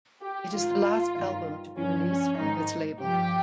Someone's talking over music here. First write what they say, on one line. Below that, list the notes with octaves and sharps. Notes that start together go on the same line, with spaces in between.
It is the last album to be released on this label.
G4
G#2 D#3 F4
G2 D#3
G2 F3 C#4
C#4
G#2 D#3 D#4
G2 F3 G4